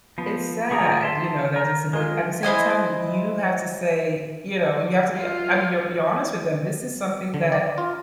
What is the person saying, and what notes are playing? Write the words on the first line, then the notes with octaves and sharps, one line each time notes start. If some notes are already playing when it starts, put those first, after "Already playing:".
it's sad, you know, that it's but at the same time, y you have to say, you know, you have to be I mean, you're you're honest with them, this is something that
F3 B3
A3 F4 G#4 D5 A#5
E5 A5 C6
A#4
G#3 F4
E4 C5 D#5 G#5
F4
D3
D5
F4